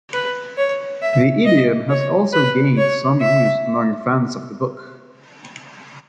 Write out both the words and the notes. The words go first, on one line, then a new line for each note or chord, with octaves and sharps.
The idiom has also gained some use among fans of the book.
B4
C#5
E5
D#5
C#5
B4
C#5
E5